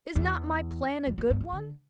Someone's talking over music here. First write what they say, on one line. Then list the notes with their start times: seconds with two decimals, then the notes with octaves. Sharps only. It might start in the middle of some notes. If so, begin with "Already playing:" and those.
Is not my plan a good one?'
0.15 E2
1.07 F2
1.18 F#2
1.30 G2
1.41 G#2
1.52 D3